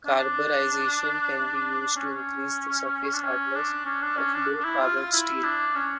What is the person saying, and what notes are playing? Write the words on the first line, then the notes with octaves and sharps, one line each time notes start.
Carburization can be used to increase the surface hardness of low carbon steel.
D4
C#4
D4
C#4
D4
C#4
D4
C#4
D4
D4
E4
F4
F4
E4
D4
C#4